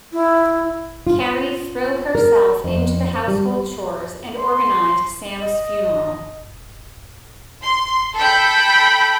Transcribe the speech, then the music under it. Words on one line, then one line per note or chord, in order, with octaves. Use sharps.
Carrie throw herself into the household chores and organised Sam's funeral.
E4
F4
A#4
F2
G3
C6
D#5
C6
A4 G5 B5